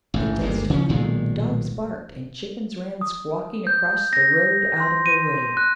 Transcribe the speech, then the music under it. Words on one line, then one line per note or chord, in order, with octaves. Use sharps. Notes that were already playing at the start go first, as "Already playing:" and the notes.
The dust flew, dogs barked, and chickens ran squawking across the road out of the way.
A1 G#2
G1 D2 G#3 A#3
C#3 F3 G#3 C#4
B1 A#2 D#3 G#3
D#6
G6
A#6
C6
D#7
F#6